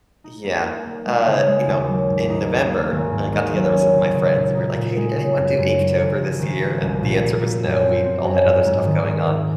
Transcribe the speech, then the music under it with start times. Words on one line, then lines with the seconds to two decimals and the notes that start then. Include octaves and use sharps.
Yeah, uh, you know, in November, I got together with some of my friends, and we're like, "Hey, did anyone do Inktober this year?" And the answer was "no," we all had other stuff going on.
0.24 D#4
0.44 A#3
0.65 D#4
0.86 A#3
1.06 G#3
1.27 C#3
1.48 G#3
1.67 D#2
1.88 F#3
2.09 G#2
2.30 D#4
2.50 A#3
2.71 A#3
2.91 G#1
3.12 G#2
3.32 G#1
3.53 F#3
3.73 C#4
3.94 C#3
4.13 C#3
4.34 A#2
4.55 D#4
4.75 A#2
4.96 G#3
5.16 C#3
5.37 F#2
5.58 F#2
5.78 F#3
5.98 G#1
6.19 F3
6.39 G#1
6.60 G#2
6.81 C2
7.01 A#2
7.22 A#2
7.42 A#2
7.63 F#2
7.83 C4
8.03 C4
8.24 F#2
8.45 G#2
8.65 G#2
8.86 D#3
9.06 G#2
9.27 D#3